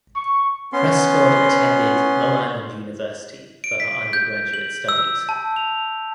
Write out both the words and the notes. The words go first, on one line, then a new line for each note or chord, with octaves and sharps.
Prescod attended Long Island University for her undergraduate studies.
C#6
B3 C#4 C6
D7
B6
G6
F#7
E6
A5
F7